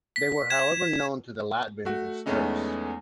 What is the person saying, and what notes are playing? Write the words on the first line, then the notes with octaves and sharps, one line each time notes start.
They were however known to Latvians as Turks.
B6
G#6 E7
A3 F#4
E2 G#3 A3 B3 C#4 D#4